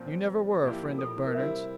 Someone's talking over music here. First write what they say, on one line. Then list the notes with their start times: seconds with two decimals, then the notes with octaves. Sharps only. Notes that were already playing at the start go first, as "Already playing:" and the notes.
"You never were a friend of Bernard's."
Already playing: A#2 F3 C4
0.08 C5
0.63 A#2 F3 A#3 E4 G4
0.99 A4
1.07 F4
1.17 E4
1.27 A#4
1.35 C3 G3 C4 E4 E5